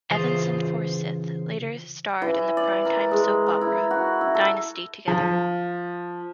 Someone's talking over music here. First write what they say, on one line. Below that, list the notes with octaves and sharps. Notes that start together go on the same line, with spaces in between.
Evans and Forsythe later starred in the primetime soap opera "Dynasty" together.
C#3 E3 F4 G#4 C5
E3
D5
A#4
G#3
A#4
E4
F#4
E4
A4
F3